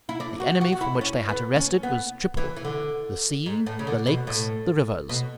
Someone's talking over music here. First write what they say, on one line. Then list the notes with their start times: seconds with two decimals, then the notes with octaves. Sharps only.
The enemy from which they had to wrest it was triple: the sea, the lakes, the rivers.
0.09 E4
0.20 D4
0.40 F#4
0.61 F#4
0.72 F#4
0.81 E4
1.01 C#4
1.29 B3
1.56 C#4
1.83 B3
2.37 E3
2.56 E3
2.65 D3
3.46 G#2
3.66 A2
3.79 C#3
3.87 D3
4.07 B2
4.27 A2
5.09 B2